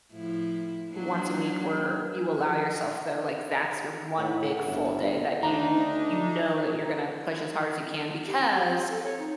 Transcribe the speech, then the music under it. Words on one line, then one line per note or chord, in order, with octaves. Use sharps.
once a week where you allow yourself though, like that's your one big full day that you you know that you're gonna push as hard as you can because
A2 F3 E4
F#3 A#3 D4
F3
A2 B4 C#5 F#5
G1 E5
D2 D4 D#4 A#5
G4
C4
G4
C4
A4
C#5
D#4